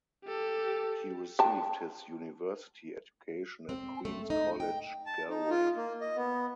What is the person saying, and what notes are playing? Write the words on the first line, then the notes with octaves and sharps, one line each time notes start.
He received his university education at Queens College Galway.
G4 A4
G5 A5
C4
A3
D#4
G5
A5
D#4
F4
A#3
D#5
B3